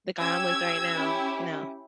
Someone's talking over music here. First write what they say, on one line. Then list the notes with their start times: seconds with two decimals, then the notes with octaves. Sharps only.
the guy I'm with right now, no.,
0.19 C#4 G4 E6 G#6
0.95 C#4 E4 G4